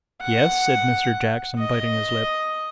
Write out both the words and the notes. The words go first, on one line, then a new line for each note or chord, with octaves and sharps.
'Yes,' said Mr. Jackson, biting his lip.
F#5
D#5